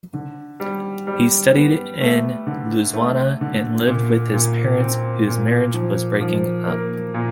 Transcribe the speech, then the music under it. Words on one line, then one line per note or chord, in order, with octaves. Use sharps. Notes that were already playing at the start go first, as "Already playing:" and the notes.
He studied in Lausanne and lived with his parents, whose marriage was breaking up.
D3
G3
G3
B3
A3
D3
A3
D3
A#2
A#2
C4
A#2
F3
F3
A#3
A#2